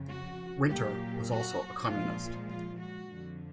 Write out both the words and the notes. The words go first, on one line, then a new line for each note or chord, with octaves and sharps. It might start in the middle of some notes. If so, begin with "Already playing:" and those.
Winter was also a Communist.
Already playing: F2 C#3 F3
F#4
A#2 F#3 G4
F#4
A#2 F3 G#3 F4
F4
F#4
F2 D3 F3